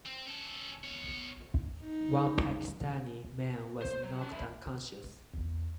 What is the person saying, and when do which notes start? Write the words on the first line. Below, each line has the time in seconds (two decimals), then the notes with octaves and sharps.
One Pakistani man was knocked unconscious.
0.06 C4
0.26 C#4 A4
0.84 B2 C#5
1.80 D#4
3.82 C5
4.03 F#3
4.19 C#4 A5
4.32 D3 E4
5.34 E2